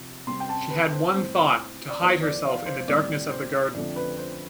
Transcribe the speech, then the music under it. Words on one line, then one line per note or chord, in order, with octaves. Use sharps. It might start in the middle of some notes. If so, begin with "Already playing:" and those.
She had one thought — to hide herself in the darkness of the garden.
Already playing: C3 F3
C3 G3 C4 C6
G5
A5
B4
C5
A2 G3 C4 C5
D5
F2 E3 B3 C5
D5
F5
C5
A2 G3 C4 D5
C5
F2 D3 A3 C4 D5
B4
C5